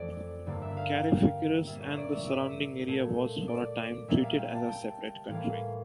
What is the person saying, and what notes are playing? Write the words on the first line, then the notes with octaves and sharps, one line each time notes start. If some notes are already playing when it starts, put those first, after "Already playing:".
Carrickfergus and the surrounding area was, for a time, treated as a separate county.
Already playing: F2 E3 A3 D5
G2 D3 G3 A#3
E5
F5
G5
F5
A#2 G3 A#3 E5
C#5
D5
E5
E5
A#2 A3
D5
A#2 G3 A#3 E5
F5
G5
A5
G5
A2 E3 G3 A#3 F5